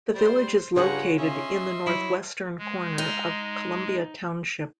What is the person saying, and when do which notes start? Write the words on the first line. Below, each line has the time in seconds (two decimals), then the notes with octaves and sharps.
The village is located in the northwestern corner of Columbia Township.
0.14 G3 C5 C6
0.76 G2 C#3 F4 C#5 F#5 A#5
1.18 C#4 D#5 E5 C6
1.86 F#3 E4
2.59 G#3
2.98 D#4